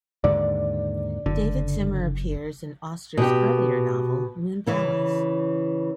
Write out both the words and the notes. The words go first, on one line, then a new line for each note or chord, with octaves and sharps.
David Zimmer appears in Auster's earlier novel "Moon Palace".
D#2 G#2 D3 D5
F#1 D3
B2 G4
C#3 E3 C#4